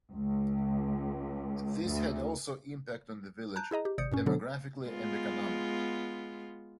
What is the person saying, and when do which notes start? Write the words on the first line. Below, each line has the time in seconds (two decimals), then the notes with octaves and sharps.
This had also impact on the village, demographically and economically.
0.12 C#2
1.84 D2
3.56 A5 A#5 F#6 G6
3.71 E4 G#4 D#5 A#5
3.85 G4
3.98 G#1 C3 D5 D#6 G6 C#7
4.12 G2 A#2 C#4
4.26 B2 D3 F#3 B3 D4 A4
4.86 G#3 B3 F4